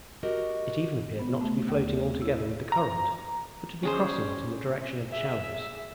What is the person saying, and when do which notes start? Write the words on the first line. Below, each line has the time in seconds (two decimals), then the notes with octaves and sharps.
It even appeared not to be floating altogether with the current, but to be crossing it in the direction of the shallows.
0.23 F#4 G4 A#4 D#5
1.19 B3
1.41 A3
1.69 D#2
2.22 E4
2.72 A#5
3.83 C#4 G#4 C5
5.11 G#4 E5